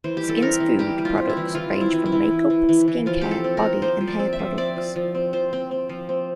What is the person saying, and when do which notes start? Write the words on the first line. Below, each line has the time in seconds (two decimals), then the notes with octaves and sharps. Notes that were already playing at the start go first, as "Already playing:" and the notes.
Skin Food's products range from makeup, skin care, body and hair products.
0.04 E3 C5
0.17 G4
0.23 G3
0.29 A4
0.42 C4 A#4
0.60 E3
0.79 G3 G4
0.99 G3
1.05 F4
1.17 C4
1.29 E4
1.37 E3
1.55 E3 F4
1.74 C4
1.81 E4
1.93 E3
2.06 E4
2.12 E3
2.31 E3
2.50 E3
2.69 E3
2.88 E3
3.06 F3 F4
3.21 C4 G4
3.31 A4
3.44 C4
3.57 A#4
3.63 C4
3.82 F3 C5
4.01 F3
4.07 D5
4.19 C4
4.33 E5
4.39 F3
4.58 C4 D5
4.76 F3
4.96 F3
5.15 C4
5.33 F3 C5
5.53 C4
5.71 C4
5.89 F3
6.09 C4